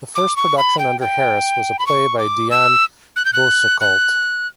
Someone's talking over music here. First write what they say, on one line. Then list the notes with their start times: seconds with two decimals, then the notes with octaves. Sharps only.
The first production under Harris was a play by Dion Boucicault.
0.15 D6
0.36 C#6
0.58 B5
0.79 G5
1.01 G5
1.79 B5
1.86 C#6
2.18 D6
2.50 E6
3.16 F#6
3.25 G6
3.33 F#6
3.81 F#6